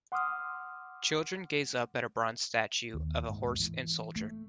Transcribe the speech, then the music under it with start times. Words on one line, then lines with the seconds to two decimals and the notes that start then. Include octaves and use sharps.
Children gaze up at a bronze statue of a horse and soldier.
0.12 F#5 C6 D6 D#6 F6
2.94 D#2
3.30 G#2
3.60 E3
4.16 A3